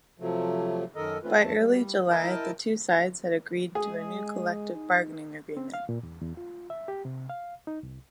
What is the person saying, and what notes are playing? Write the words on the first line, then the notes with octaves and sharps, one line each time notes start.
By early July, the two sides had agreed to a new collective bargaining agreement.
C3 F3 F#3 A3
F#2 D#3 A4 A#4 D#5
D#3 A3 C4 C#4 F4 B4
E2 G2 F3 A3 A5
G3
E4 A#4 D#5 G5 A5
G#3 G#4
D#4
C4
F5
A#2
E2
E2
F4
E5
G4
C3
F5
D#4
C2